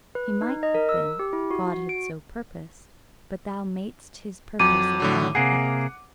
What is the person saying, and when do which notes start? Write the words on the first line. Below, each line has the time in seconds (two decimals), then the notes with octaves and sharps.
He might have been, God had so purposed; but thou madest His purpose of none effect.
0.15 B4
0.42 D#4
0.63 D#5
0.75 A#4
0.89 E6
1.19 G4
1.33 E4
1.51 F#4
1.72 F#4
1.89 D7
4.60 F2 F#3 D6 D#7
5.00 A2 D3 F#3
5.35 C3 A#3 G#4 F#5